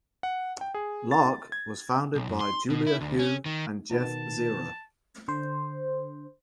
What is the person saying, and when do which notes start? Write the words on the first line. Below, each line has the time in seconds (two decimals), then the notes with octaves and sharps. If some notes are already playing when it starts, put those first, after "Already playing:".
Lark was founded by Julia Hu and Jeff Zira.
0.23 F#5
0.61 G5
0.74 G#4
1.11 A6
1.52 G#6
2.15 B1
2.29 F#2
2.41 C6
2.70 B2
2.87 E4
3.01 D2
3.19 C#4
3.46 D#3
3.91 B2 D#3 B3 A5
5.28 D3 C5